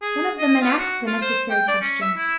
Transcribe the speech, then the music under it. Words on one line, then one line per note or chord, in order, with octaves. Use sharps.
One of the men asked the necessary questions.
G#4
D#5
F4
F#4
F4
C5
G5
D5
C#4
E5
E4